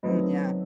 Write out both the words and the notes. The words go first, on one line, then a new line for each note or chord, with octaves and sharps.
Mm, yeah.
F#2 D#3 F#3 A3 C4 B4 D#5